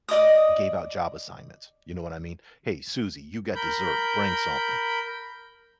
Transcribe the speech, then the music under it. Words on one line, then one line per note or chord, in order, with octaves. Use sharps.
gave out job assignments, you know what I mean? "Hey, Susie, you got dessert, bring something."
D5 D#5 D6 D#6
A#4 B5 G6